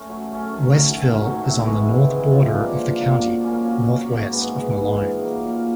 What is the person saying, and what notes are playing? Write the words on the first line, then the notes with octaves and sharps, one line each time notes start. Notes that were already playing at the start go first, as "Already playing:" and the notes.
Westville is on the north border of the county, northwest of Malone.
Already playing: A3 C#4
F#3
A3 C#4
D#3
F#3 A3
D#3
F#3 A3
C3
E3 G#3
C3
E3 G#3
F3
A#3 D4
F3
A#3 D4
F#3
A#3 C#4
F#3
A#3 C#4
G#2
E3 G#3 B3
G#2
E3 G#3 B3
A#2
F#3 A#3
A#2